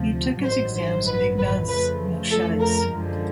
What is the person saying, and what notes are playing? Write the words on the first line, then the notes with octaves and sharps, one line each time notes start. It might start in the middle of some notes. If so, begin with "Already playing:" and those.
He took his exams with Ignaz Moscheles.
Already playing: D2 C3 F3
A1 G2 D#3 F#3 C5
C5
B4
B4
F2 C#3 F3 A3 B4
A4
A#4
F#2 D3 F3 G#3